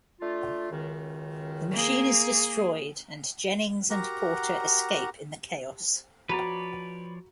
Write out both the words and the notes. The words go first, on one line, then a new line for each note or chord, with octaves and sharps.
The machine is destroyed, and Jennings and Porter escape in the chaos.
A3 D4 F4
C#2 F#2 D#3
A#3 G#4
F#4 G4 A#4 F#5 A#5
F3 F#4 B4 C#5 D5 A#5